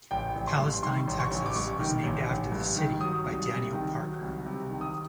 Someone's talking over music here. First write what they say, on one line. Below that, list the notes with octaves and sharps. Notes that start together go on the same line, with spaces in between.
Palestine, Texas was named after the city by Daniel Parker.
A1 G5
A1
C6
G2
D#3 C6
A1
C#6
A1
D6
G2 C#6
D#3
A1
A1
G2
D#3
F#3 D#6
C2
C3
D#3
F#3
C2
C3
D#3
D#6